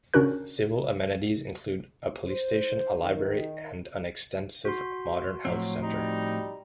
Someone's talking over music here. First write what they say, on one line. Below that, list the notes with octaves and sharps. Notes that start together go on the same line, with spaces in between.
Civil amenities include a police station, a library and an extensive modern health centre.
C#3 C#4 D4 F#4 A#4 F#6
C5
D#3
F#4 C6
A2 F3 F#3 C4
G3 D#4